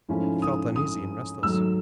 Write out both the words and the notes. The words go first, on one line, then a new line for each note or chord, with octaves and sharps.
He felt uneasy and restless.
G#2 F3 A3 C#4 E4
D#6
D#6
G#2 D#3 F#3 A3 E6